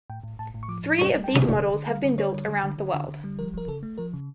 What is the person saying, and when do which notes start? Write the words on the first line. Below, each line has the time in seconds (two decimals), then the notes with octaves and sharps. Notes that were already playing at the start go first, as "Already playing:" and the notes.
Three of these models have been built around the world.
0.10 A2 G5
0.24 A2
0.39 A2 A5
0.54 A2
0.63 C#6
0.68 F3 D6
0.83 A2
0.98 G3 C#6
1.14 G3
1.24 G5
1.28 G3 A5
1.44 D3
1.58 D3
1.74 D3
1.89 G3 F5
2.04 D3
2.18 G3 C#5
2.34 D3
2.49 D3
2.63 D3
2.78 D3
2.94 D3
3.08 D3
3.24 G3
3.39 F3 A#4
3.54 F3 A#4
3.68 C#3 A4
3.83 A3
3.98 F3 A#4
4.13 C#3